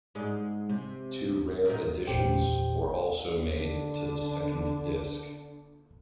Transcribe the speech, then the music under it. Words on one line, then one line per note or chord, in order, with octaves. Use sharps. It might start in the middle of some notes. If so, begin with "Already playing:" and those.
Two rare additions were also made to the second disc.
G#2 G#3 D5
C3
A#2 D#3
G#1 E2 A#2 G4 C5 G5
D3 D4